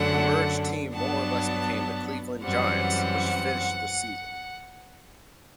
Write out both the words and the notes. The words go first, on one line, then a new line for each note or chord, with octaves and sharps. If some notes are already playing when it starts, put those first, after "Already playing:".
The merged team more or less became the Cleveland Giants, which finished the season.
Already playing: F#2 D3 A3 D4 F#5
G2 F#3 B3 D4 A5
F#2 E3 G3 C4 F#5